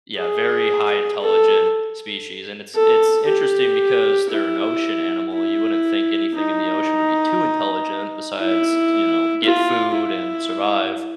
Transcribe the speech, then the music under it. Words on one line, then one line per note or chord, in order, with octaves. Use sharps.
Yeah, very high intelligent species, and it's it's interesting because they're an ocean animal, you wouldn't think anything in the ocean would be too intelligent besides, you know, get food and survive.
G#4
A4
A4
G4
E4
E4
D#4
E4
F4
E4